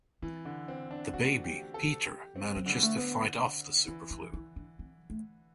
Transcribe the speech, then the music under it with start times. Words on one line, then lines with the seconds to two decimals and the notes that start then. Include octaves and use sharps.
The baby, Peter, manages to fight off the Superflu.
0.22 E3 C4
0.45 D3
0.68 C4
0.91 D4
1.14 A3 F#4
1.44 G4
1.74 A4
2.05 G4
2.36 C4
2.56 F#3
2.66 D3 G3
2.83 A3
2.96 B3
3.88 E3 D4
4.11 E4
4.34 E4
4.56 D4
4.79 C4
5.10 A3